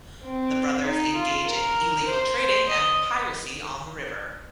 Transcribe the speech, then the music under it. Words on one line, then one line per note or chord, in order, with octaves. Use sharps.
The brothers engage in illegal trading and piracy on the river.
C4
D#4
F4
A#4
C5
C5
D#5